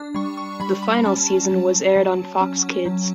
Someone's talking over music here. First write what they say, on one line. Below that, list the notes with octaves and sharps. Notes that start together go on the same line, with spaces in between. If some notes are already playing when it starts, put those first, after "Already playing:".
The final season was aired on Fox Kids.
Already playing: D4
G3 C#6
C#6
G3 B5
B5
B5
C#4 A5
F#3
F#3
C#4
F#3